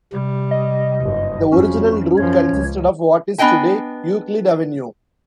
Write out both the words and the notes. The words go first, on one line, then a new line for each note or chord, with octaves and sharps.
The original route consisted of what is today Euclid Avenue.
C3 G3
D#5
F#1 G2
F2 C#4 F#4
F#2 F3 C#5
C#2
B3 D4 D#5 G5 G#5